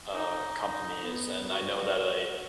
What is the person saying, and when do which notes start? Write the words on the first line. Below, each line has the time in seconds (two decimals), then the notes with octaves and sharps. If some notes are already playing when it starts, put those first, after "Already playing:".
uh, companies and I know that a,
0.12 D#4
1.03 B3
1.50 F#4